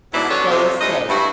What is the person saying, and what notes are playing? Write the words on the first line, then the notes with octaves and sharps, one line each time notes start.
stay safe.
G#2 B2 D3 F#3 D4 E4
D3 F#3 B3 C#4 D4 C#5
F2 C3
G2 G#3 A3 D#5
G2 E4 F#4